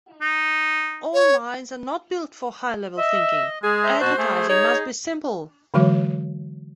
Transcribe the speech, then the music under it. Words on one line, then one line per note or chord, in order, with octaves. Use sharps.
All minds are not built for high-level thinking. Advertising must be simple.
D#4
C#5
D#5 E5
G#3 G#4
C5 E5 A#5
B2 F#4 C5 A5
A3 G#4
D#4 C#5
D3 E3 F#3 G#3 F#4